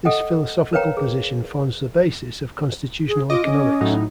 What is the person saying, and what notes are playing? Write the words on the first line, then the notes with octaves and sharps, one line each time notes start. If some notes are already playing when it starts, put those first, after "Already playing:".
This philosophical position forms the basis of constitutional economics.
A4 D#5 F#5 G5
A#4 B4 C#5 F5 G5 A#5
G#4
G#4
F4 D#5 D6
C#4
A2 F#3 D#4